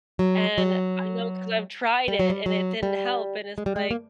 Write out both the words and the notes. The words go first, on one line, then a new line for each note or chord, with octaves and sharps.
and I know 'cause I've tried it and it didn't help and it's like,
F#3
F#3
G3
F#3
G3
F#3
G3
G#3
G3
G#3
A#3